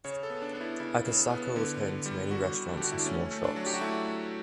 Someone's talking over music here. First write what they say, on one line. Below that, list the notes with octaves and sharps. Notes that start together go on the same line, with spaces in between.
Akasaka was home to many restaurants and small shops.
C#3 C#5
A4
B3
D4
B3 D4
E4
C#3 E4
C#3
B3
D3
D3
G3
D3 F#4
D3
D4
G4
D3 F#4
E4
D4
A3 C#4
A3
D4
F#3
G4
F#4
A3 E4